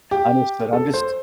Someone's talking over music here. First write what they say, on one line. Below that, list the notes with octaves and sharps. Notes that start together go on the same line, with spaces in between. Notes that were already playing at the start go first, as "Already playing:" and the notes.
Understood, I'm just
G4
A4
C5